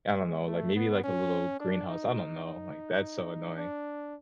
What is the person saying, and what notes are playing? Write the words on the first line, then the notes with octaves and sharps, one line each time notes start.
I don't know, like, maybe, like, a little greenhouse. I don't know. Like, that's so annoying.
G#3
A3
B3
C#4
D4
D#4
D#4
D4